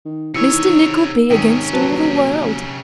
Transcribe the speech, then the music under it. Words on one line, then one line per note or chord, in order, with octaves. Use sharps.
Mr Nickleby against all the world.
D#3
C3 D#3 E3 D#4 C#5 E6 C#7
G#1 C3 D#3 C#4
D#1 F#3 B4 A5